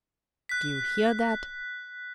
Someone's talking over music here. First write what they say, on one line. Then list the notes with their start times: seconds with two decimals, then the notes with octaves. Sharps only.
Do you hear that?
0.49 F#6 B6